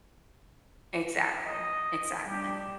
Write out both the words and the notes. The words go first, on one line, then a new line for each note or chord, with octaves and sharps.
Exactly, exactly.
D#5
G3 D4 G4